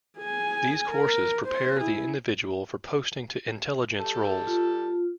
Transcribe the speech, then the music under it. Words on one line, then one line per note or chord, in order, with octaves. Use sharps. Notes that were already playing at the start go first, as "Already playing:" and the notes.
These courses prepare the individual for posting to intelligence roles.
G#4 G#5
A#4
C5
E4 G#4
G3 A4 A5
F4